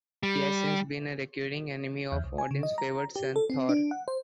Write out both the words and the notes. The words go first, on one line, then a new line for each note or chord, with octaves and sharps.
He has since been a recurring enemy of Odin's favored son, Thor.
G3
E2
C2
G#5
C#3
D#5
A#5
G4
A4
C4
D4
F#5
C5